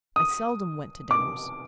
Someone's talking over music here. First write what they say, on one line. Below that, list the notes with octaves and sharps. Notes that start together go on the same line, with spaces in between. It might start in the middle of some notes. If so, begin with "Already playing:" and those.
I seldom went to dinners.
D#6
D6